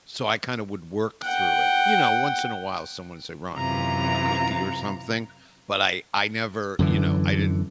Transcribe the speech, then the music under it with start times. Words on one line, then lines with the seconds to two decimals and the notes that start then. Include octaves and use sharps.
So, I, kinda, would work through it, you know, once in a while, someone would say, "Ron, you want you want a cookie or something?" But I I never, you know, I didn't
1.23 F#5 G5
3.57 F#2 C3 E3 F4 A#5
6.79 F#2 D3 E3